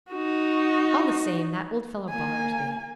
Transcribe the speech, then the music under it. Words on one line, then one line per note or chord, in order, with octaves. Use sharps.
"All the same, that old fellow bothers me."
D#4 F#4
A#3 G#5